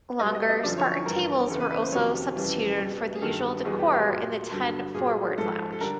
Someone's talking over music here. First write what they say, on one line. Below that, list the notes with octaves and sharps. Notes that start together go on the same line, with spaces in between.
Longer, spartan tables were also substituted for the usual decor in the Ten-Forward lounge.
B2 G3 D#5
D#5
D#5
F#2 D3 F3 D5
C#5
C#5
G2 E3 G3 A#4
E2 C#3 E3 A4
B4
B4
C5
F2 C3 D#3 F#3 C#5
F2 C#3 E3 G3
B2 G3
G#4
G2 D#3 F#3 A4
E2 B2 G3 G#4
G4
G4
A#2 F#3
G2 D3 F#3
A#2 F#3 G#4
G#2 F3 A4
A4
D3 G3 A#4